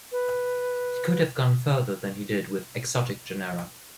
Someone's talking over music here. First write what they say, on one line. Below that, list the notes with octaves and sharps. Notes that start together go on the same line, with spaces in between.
He could have gone further than he did with "exotic" genera.
B4